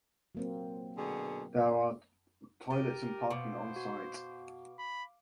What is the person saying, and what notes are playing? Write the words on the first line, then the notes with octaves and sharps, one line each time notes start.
There are toilets and parking onsite.
F#3 A#3 C4
B2 D3 G#4
G4 A#4 A6 D#7
B2 C5 F5 D6
F#4
B5